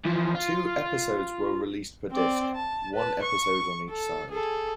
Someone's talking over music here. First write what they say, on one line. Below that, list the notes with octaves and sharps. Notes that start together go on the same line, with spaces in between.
Two episodes were released per disc, one episode on each side.
E3 F3
F4
C4 D5
A5
B4 A5
C#6
A4
G#4 A4